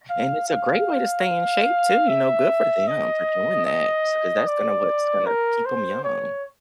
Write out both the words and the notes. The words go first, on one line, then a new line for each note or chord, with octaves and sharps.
And it's a great way to stay in shape too, you know, good for them for doing that, so 'cause that's gonna what's gonna keep ‘em young.
F5
F5
E5
D#5
D#5
D5
A#4
C5
C#5